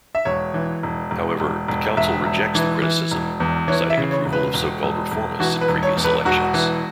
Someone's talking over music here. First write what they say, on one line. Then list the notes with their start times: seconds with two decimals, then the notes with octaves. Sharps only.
However, the council rejects the criticism, citing approval of so-called reformists in previous elections.
0.15 E5
0.25 E1 C#5
0.54 E3
0.83 E1
1.11 E1
1.40 E1
1.68 E1
1.97 E1 E5
2.26 E1
2.55 E3
2.82 E3
3.11 E1
3.40 E2
3.68 E3 C#5
3.90 E5
3.97 C#3
4.11 C#5
4.25 E1
4.33 B4
4.54 E1
4.83 E1
5.11 E1
5.40 E3 F#4
5.61 B4
5.68 E1
5.83 C#5
5.97 E2
6.04 B4
6.25 E1 F#4
6.54 E3